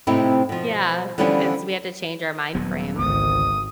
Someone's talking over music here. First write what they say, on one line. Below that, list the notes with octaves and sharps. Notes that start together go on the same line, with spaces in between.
Yeah, it's we have to change our mind frame.
A2 C3 C4 D#4 E4 G4
B2 F3
D3 E3 F3 G3 B3 C#4
D#1 F#3 B3
G#1 C#2 D3 B3 D#6